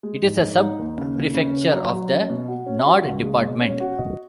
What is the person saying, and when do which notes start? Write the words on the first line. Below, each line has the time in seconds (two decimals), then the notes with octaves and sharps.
It is a sub-prefecture of the Nord department.
0.03 G#3
0.23 G#2
0.40 G#2
0.59 D#4
0.79 D#2
0.98 C#3
1.15 D#2
1.34 C#3
1.53 C#4
1.73 F#3
1.92 F#3
2.11 C#4
2.30 B2
2.48 F#4
2.66 C#4
2.86 F#4
3.05 C#2
3.23 G#3
3.42 B2
3.60 C#4
3.80 F#4
3.98 D#5